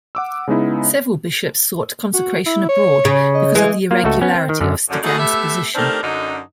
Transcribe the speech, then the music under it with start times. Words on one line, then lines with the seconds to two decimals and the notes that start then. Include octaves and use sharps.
Several bishops sought consecration abroad because of the irregularity of Stigand's position.
0.15 F#5 D6 E6
0.47 C#3 G#3 B3 D#4 E4
2.14 F#4
2.46 E4
2.69 C#5
3.05 C#3
3.35 D#5
3.55 E3 G#3
3.91 A#3 F4
4.04 C#2 A3 F#4 A4
4.21 B3 C#4
4.36 C4
4.49 D#3
4.61 F#2 D3
4.89 F#2 D3
5.03 B2 A3 D#4 E4 F#4 G#4
5.18 A3 B3 G4 E5
5.75 D#3 A3 C4 D4 G4 A#4
6.02 F#2 D3 D#4